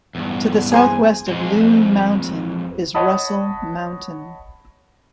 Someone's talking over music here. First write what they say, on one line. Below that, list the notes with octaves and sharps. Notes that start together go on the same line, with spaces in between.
To the southwest of Loon Mountain is Russell Mountain.
E2 G2
G#4 C5 G#5
F2 G#3
C#5 D#5 F#5 A5 B5 D#6